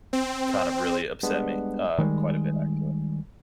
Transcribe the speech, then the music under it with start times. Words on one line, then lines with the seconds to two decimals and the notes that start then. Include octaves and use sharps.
kind of really upset me, uh, quite a bit, actually.
0.13 C4
1.23 G3 G#3 B3 D4
1.98 D#3 G3 G#3